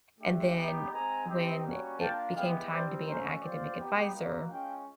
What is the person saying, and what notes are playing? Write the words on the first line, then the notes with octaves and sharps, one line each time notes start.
And then, when it became time to be an academic adviser,
A3 D4 G4
B3 D#4 G4
G#3 C4 D#4 G#5 A#5
C4 D#4 G4
G3 A#3 C#4 F#4
A#3 D4 F4 G5 A5
G#3 B3 E4 G4 F5 G5
G3 C4 D#4 G4 C5 D5
A3 C#4 F#4 A#4 C5
C4 F4 C5 D5
B3 D#4 G4
A#3 D#4 F#4
G#3 C#4 F4 F5 G5